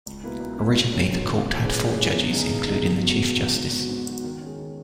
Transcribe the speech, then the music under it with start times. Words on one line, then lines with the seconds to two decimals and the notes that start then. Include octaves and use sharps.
Originally, the Court had four judges, including the Chief Justice.
0.06 C#2
0.23 B2 A#3 E4 B4
0.40 C#2
0.58 B2 A#3 E4 B4
0.76 G#2
0.92 D#3 F#3 C#4
1.11 G#2
1.28 D#3 F#3 C#4
1.45 A#2
1.63 G#3 C#4 E4 B4
1.79 A#2
1.97 G#3 C#4 E4 B4
2.15 E2
2.32 C#3 G#3 D#4 G#4
2.49 E2
2.67 C#3 G#3 D#4 G#4
2.85 E2
3.02 C#3 F#3 B3 F#4
3.19 E2
3.36 C#3 F#3 B3 F#4
3.55 G#2
3.72 F#3 B3 F#4
3.89 G#2
4.06 F#3 B3 F#4
4.24 D#3
4.41 C#4
4.46 G#3
4.59 D#3